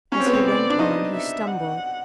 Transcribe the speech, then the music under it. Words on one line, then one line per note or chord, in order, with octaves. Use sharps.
As he went on he stumbled.
C#4 C#5
C4
B3
C4
D5
D4
D#4 D#5
E5
F#5